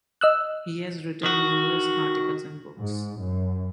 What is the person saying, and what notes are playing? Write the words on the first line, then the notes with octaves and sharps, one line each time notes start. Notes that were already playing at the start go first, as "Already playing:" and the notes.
He has written numerous articles and books.
D#5 E6 F#6
D#3 F#4
G#2
F#2